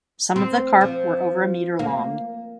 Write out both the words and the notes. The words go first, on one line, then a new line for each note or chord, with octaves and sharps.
Some of the carp were over a meter long.
C4
F3
A#3